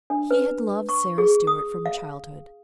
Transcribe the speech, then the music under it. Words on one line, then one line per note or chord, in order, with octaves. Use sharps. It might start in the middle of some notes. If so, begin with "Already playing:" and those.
He had loved Sara Stuart from childhood.
D4
B4
C#6
G#4
D#6
F5